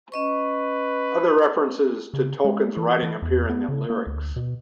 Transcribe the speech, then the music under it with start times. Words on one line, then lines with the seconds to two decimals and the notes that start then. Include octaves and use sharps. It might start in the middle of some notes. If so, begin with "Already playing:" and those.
Other references to Tolkien's writing appear in the lyrics.
0.12 C#4 B4 D#5 C#6
2.14 C#3
2.45 G#3
2.77 E3
3.03 E3
3.22 E2
3.50 B3
3.69 C#3
3.90 A#3
4.07 D2
4.36 B2